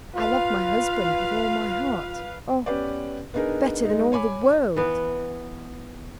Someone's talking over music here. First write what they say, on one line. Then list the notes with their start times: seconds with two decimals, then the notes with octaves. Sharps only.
"I love my husband with all my heart,--oh, better than all the world."
0.16 F4 B4 F5
2.66 B3 C#4 G4 B4 D5
3.34 B3 D4 D#4 G#4 A#4
3.85 G#3 D#4
4.12 C#5 G#5 B5 D6
4.76 E3 B3